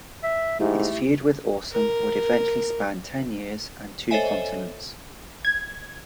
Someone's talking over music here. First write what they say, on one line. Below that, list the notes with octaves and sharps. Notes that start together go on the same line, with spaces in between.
His feud with Awesome would eventually span ten years and two continents.
E5
G#2 A3 E4 G4
A#4
A4 C5 C#5 D#5 E5 G#5
G#6